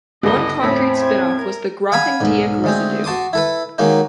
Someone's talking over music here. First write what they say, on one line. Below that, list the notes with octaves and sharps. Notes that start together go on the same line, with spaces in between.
One concrete spin-off was the Grothendieck residue.
G1 C#2 G3 A4 D#5 A#6 G7
E2 A2 C4 C#4 B5
C5 G#6
A#4
F5 F#5 G#5 B5
B1 G#2
D2 G#3 C4
F#4 A5 C6 D6 D#6
E4 A4 B4
D#3 F#3 G#3 A#3 D#4